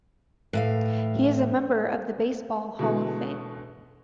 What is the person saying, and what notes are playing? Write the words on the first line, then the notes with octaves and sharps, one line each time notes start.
He is a member of the Baseball Hall of Fame.
A2 E3 F5
B2 D3 E3 G#3 A3